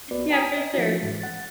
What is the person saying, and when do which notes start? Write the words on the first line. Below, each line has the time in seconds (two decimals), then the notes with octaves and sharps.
yeah, for sure.
0.11 C2 B3 F#4 B4 D5
0.30 G5 A#5 D#6
0.57 D#5
0.74 F3 C#4 D#4 E4 F#4
1.00 G#2 E3 G#3
1.20 F#5 A6